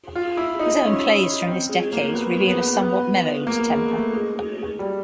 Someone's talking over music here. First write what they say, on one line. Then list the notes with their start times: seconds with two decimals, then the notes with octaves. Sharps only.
His own plays from this decade reveal a somewhat mellowed temper.
0.15 F4
0.37 E4
0.59 D#4
0.82 C#4
1.48 C4
1.69 G#3
1.93 A#3
2.14 B3
2.31 B3
2.48 B3
2.80 B3
3.47 A#3
3.69 G#3
3.91 A3
4.13 G#3
4.35 G#3
4.57 G#3
4.79 G3